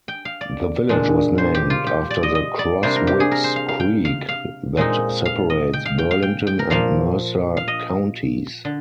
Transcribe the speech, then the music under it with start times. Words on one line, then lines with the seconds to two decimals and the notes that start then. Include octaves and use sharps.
The village was named after the Crosswicks Creek that separates Burlington and Mercer counties.
0.08 G5
0.25 F5
0.41 D5
0.89 A#2 G#3 D4
1.38 C5
1.55 G4
1.70 F4
1.87 G4
2.10 D5
2.23 D#5
2.35 D#5
2.59 D5
2.83 C3 G3 A#3 D4 C5
2.96 A#4
3.07 G4
3.20 G#4
3.31 A#4
3.44 C5
3.56 F5
3.68 F5
3.80 G5
4.05 F5
4.29 F5
4.77 A#2 G#3 C4 D#4
5.25 F5
5.50 D#5
5.73 G5
5.85 F5
5.98 G5
6.11 F5
6.22 G5
6.47 G5
6.59 A#4
6.70 A#2 F3 A#3 F5
7.57 F5
7.68 D#5
8.65 D3